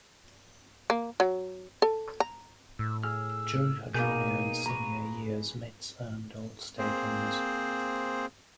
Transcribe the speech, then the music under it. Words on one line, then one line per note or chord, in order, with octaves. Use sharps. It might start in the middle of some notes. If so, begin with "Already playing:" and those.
During her junior and senior years, Mitts earned all-state honors.
A#3
F#3
A4
A#5
A2 E6
G#4 E6 F6
B2 A#3 D#4 G#4 A#4 G6 D#7
B4 A#5 C#6
A#3 C4 G#4 C5